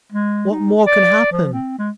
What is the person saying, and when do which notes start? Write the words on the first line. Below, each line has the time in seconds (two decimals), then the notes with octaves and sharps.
What more can happen?
0.12 G#3
0.51 D#4
0.86 D5
1.32 F3
1.53 C4
1.78 G#3